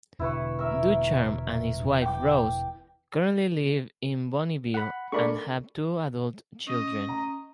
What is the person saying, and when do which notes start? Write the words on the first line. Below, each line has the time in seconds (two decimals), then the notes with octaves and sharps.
Ducharme and his wife, Rose, currently live in Bonnyville and have two adult children.
0.19 E1 B2 D3 E4 B4 C#6
0.59 A#4 E5
2.02 G5 D6
4.74 F#5 B5
5.12 A3 D4 A#4 D5 B5 C#6
6.67 C#4 D#5
7.09 A#5